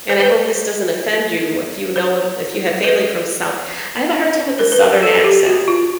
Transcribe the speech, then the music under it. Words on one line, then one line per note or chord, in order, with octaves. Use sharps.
and I hope this doesn't offend you if you know of if you have family from south I have a hard time with the southern accent.
C5
B4
C5
B4
A#4
B4
A#4
A4
G4
F#4
F4